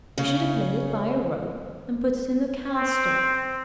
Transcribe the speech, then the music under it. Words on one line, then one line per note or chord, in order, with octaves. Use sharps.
You should have led it by a rope, and put it in the cow-stall.'
C#3 C#4
C4